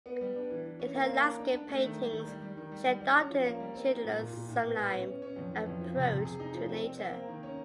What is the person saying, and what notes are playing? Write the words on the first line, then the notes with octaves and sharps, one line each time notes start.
In her landscape paintings she adopted Schindler's sublime approach to nature.
B3
G3
D4
E3
E3
C#4
A#3
A#3
D#4
D4
D4
A3
D#3
G3
D#3
G3
G3
D#3
G3
G3
G3
C#4
F3
A#3
G3
C4
D#4
A#2
A#2
A#2
A2
B3
B3
C#4
C#4
C#4
F2
E3
F2
F3
C3
C3
G#4
D#4
F3
C4
C4
C4
A#3
D#3
C#4